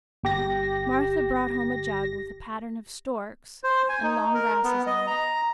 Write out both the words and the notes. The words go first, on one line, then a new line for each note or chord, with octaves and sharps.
Martha brought home a jug with a pattern of storks and long grasses on it.
G1 G4 A#6
C5
G#5
D#4
A#4
B3
D#5
A#5